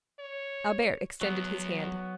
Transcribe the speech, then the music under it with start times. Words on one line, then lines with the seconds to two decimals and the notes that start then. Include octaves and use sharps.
Albert extended his hand.
0.19 C#5
1.21 E2 F#3 B3